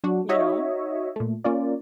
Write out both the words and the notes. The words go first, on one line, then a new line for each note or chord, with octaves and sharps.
You know?
F#3 D4 F#4
D#4 F#4 C#5 D#5 E5
A#2 A3
A#3 C#4 F4 D5